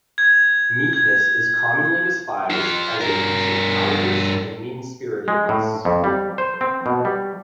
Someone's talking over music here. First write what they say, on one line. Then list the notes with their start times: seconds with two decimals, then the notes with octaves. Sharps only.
Meekness is commonly despised as a piece of cowardice and mean-spiritedness.
0.18 G#6
0.93 G#6
2.50 F4 G5
3.01 G2 A#4
5.28 G#3
5.49 A2
5.85 F2
6.04 G3
6.38 C5
6.61 C4
6.86 B2
7.05 G3